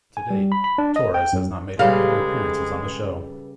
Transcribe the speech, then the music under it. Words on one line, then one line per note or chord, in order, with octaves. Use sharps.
To date, Torres has not made any other appearances on the show.
G#5
G3
B5
B5
D4
D#5
G5
F#2
C#3 G3 G#3 A4 B4 F5